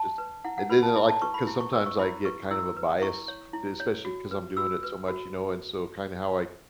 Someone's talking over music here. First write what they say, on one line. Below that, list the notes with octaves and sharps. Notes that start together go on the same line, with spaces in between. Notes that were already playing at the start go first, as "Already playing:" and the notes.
just and then they'll, like l 'cause sometimes I get kind of a bias especially 'cause I'm doing it so much, you know, and so, kinda how I
Already playing: A5
B4
E4 F#5
F#5
B4 B5
A5
E4 B5
A5
B4 C#6
B5
E4
C#6
B4 E6
C#6
E4 B5
B4 C#6
E4 E6
B4
E4 C#6
C#5
E4
C#5
F#4
B4
F#4 E6
B4
F#4